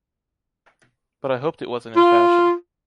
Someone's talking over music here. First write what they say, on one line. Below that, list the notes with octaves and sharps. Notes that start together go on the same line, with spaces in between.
But I hoped it wasn’t in fashion.
F4